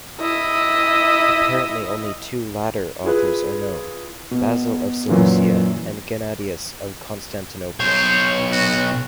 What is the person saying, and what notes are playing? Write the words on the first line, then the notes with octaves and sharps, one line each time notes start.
Apparently only two later authors are known: Basil of Seleucia and Gennadius of Constantinople.
E4 D#5
E4 F4 G#4 B4 F#6
B2
F#2 A#2 E3 F#3
B1 C5 C#5
F#4